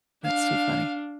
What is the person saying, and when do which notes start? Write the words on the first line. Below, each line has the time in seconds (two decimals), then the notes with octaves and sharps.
That's too funny.
0.25 D4 F5